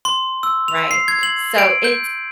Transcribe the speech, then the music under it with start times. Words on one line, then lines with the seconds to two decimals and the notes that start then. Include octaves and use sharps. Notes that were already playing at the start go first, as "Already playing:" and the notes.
Right. So it's
0.05 C6
0.43 E6
0.68 F7
0.91 C7
1.08 G#6
1.23 F#7
1.58 D7
1.84 G6